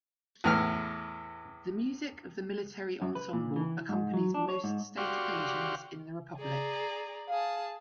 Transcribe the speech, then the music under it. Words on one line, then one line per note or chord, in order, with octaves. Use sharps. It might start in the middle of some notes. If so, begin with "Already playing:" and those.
The music of the Military Ensemble accompanies most state occasions in the republic.
E2 A2 F6
F#2
B4
A#2
E3
G#2
F#3
D4
C#5
G#2
F#4 G4 D5 F5 C6 C#6
G#4 D5 A#5
G#4 F5 A5